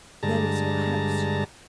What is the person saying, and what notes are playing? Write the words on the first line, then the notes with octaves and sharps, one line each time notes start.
"There is no house, you know."
G2 D3 G#3 A5 A#5